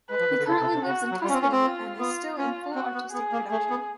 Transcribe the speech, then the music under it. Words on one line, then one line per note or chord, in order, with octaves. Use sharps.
He currently lives in Tuscany and is still in full artistic production.
G#3 B4
F3
D#3
D3
C#3 A4
C3
C3
C#3 F#4
F#3
G3 F4
C#4
C4
C#4
C4
F4
B3 F4
C#4 F4
C4 F#4
B3
B3 G#4
A#3
A3 G#4
B3